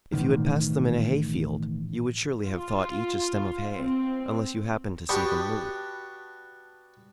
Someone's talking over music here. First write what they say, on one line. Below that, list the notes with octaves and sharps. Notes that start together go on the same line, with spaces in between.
If you had passed them in a hay-field, you would surely have thought each a stem of hay, unless you happened to see them move.
A1 B2 D3 D#3
F4
C4
B3 D4 F#4 G4 B4